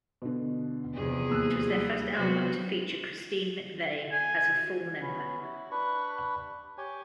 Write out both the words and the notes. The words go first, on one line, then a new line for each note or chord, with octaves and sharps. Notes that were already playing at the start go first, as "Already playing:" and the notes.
It was their first album to feature Christine McVie as a full member.
B2 D3
E2 C3 F3 G#4
D#2 E6 F#6
G3
C3 F#3 B3 F#4 C5
G#5
B3 C#4
E4 F#4
D4 B4 B5 C#6
G4 C#5 G#5